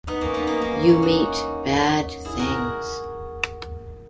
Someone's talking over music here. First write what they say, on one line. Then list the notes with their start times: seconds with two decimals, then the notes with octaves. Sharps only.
You meet bad things.
0.07 B3 D#4
0.21 A#3 C#4
0.34 B3 D#4
0.47 A#3 C#4
0.61 A#3 C#4
0.89 C#4 E4
1.02 D#4 F#4
2.25 E4 G#4
2.39 F#4 A#4